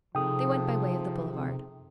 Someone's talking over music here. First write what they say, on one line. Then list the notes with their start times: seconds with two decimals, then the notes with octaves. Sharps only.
They went by way of the boulevard.
0.15 C3 F3 D#4 G#4 A4 G5 D#6